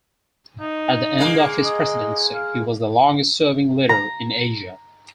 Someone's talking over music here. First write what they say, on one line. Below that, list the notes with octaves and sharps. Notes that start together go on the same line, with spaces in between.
At the end of his presidency, he was the longest serving leader in Asia.
D#4
G#3 A#3
D#5
F5
A#5